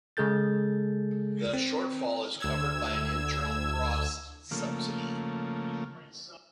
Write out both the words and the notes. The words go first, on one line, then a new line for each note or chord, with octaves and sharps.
The shortfall is covered by an internal cross subsidy.
C#3 G#3 G#4 A4 G6 A6
C4
D2 E6 G#6
C#3 F3 A3 A#3